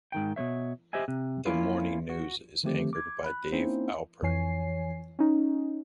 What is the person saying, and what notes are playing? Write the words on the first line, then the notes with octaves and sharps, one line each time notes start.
The morning news is anchored by Dave Alpert.
G#2 D#3 G5
B2 A3 C#5 E5
G4 C5 D#5 E5 G#5
C3
A#3 C#4 E4 F4
F#4
D3 D#3 F3 A3 C4 G4
D6 G#6
B5 F#6
A#3 C4 C#4 D#4 E4 C5
F2 E3 C#5 G#5 C7
C#4 D#4